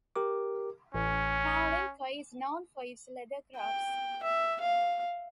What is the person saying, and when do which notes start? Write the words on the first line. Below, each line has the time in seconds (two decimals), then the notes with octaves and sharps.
Naolinco is known for its leather-crafts.
0.16 G4 A#4 D6
0.94 A1 C#4
3.57 G5
4.23 E5
4.61 F5